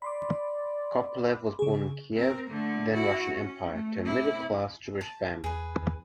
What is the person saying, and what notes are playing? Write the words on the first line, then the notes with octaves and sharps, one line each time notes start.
Kopelev was born in Kiev, then Russian Empire, to a middle-class Jewish family.
D5 B5 C6 D6
C#3 G#4
C4 A#4
D3 A3
E4 F#4
C#4
A3
C3 E4
A5
E2 G#4 B4
E2